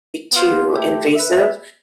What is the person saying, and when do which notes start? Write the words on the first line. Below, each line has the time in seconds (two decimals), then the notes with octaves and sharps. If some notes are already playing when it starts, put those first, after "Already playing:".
too invasive,
0.32 B3 F4 C5
0.74 A3 E4 G4
1.16 B4 E5